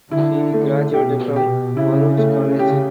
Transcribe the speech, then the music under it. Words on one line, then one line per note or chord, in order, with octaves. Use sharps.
He graduated from Baruch College.
D3 E4
A3
B2 G4
G4
C#3 E4
A3
G4